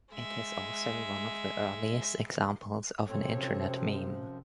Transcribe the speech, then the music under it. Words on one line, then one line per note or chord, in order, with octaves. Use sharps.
It is also one of the earliest examples of an Internet meme.
G#3 E5
F#2 C3 F3 C4 A4 C#5